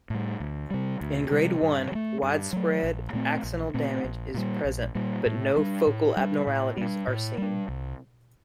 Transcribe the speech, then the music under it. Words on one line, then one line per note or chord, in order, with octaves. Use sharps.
In Grade One, widespread axonal damage is present but no focal abnormalities are seen.
A2 G3
D2
C3 G3
D2
C3 G3
G2
F#3
A3
G2
F#3 A3
A#1
A#2 A3 C4
A#1
A#2 A3 C4
A#1
A#2 G3
A#1
A#2 G3
A2
G3 D4
A2
G3 D4
A2
G3 D4
A2
G3 D4
C2